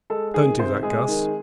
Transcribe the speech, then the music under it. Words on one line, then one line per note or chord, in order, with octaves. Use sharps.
"Don't do that, Guss?"
G#3 A4
D#3 G#4
C3 C5
G#3 G#4
D#3